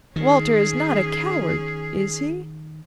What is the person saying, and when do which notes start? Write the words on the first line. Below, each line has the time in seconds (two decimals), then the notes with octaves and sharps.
'Walter is not a coward, is he?'
0.16 D#3 C#4 G#4